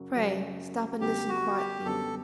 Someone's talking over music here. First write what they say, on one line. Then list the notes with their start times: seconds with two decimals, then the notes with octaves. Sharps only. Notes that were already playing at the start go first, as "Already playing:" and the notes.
Pray, stop and listen quietly.
Already playing: F#2 C#3 F#3
0.15 F#2 C#3 F#3 C#4
1.01 F#2 D3 G3 B3 G4
1.29 F#4
1.58 G4
1.85 F#2 D3 G3 B3 A4